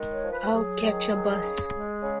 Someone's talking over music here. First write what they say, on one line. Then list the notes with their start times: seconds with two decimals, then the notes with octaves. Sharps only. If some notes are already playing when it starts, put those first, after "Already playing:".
I'll catch a bus.
Already playing: D#3 G#3
0.13 C#5
0.23 F3
0.32 B4
0.52 F#3 G#4
0.82 D#3
1.12 F#3
1.43 C#3
1.73 G#3
2.03 C#3